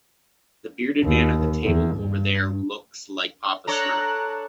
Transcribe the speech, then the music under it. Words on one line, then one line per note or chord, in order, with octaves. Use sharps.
The bearded man at the table over there looks like Papa Smurf.
D#2
E2
G2
D4 A4 C#5 A#5 F#6